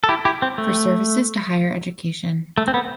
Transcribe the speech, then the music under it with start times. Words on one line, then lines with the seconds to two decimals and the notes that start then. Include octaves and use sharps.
For services to Higher Education.
0.04 A4
0.09 E4 G4
0.25 E4 G4
0.42 C4
0.58 A3
2.58 A3
2.68 C4
2.74 B3